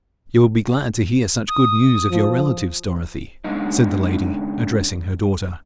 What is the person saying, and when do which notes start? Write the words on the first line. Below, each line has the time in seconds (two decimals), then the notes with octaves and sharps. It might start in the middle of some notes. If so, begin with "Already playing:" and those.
'You will be glad to hear such good news of your relatives, Dorothy,' said the lady, addressing her daughter.
1.48 D#6
2.10 F3
3.44 C#3 G#3 B3 D4 D#4